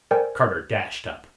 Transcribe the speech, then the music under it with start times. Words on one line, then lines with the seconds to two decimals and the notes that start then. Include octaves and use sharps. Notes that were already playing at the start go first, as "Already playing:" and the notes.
Carter dashed up.
0.11 A4 A#4 C5 D5 G5 G#5